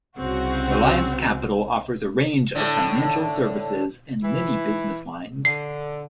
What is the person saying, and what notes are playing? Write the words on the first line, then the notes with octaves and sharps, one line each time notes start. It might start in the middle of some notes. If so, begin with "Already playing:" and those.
Reliance Capital offers a range of financial services in many business lines.
C2 C#3 C4 F#4
A2 D3
E3 E4
D3 C7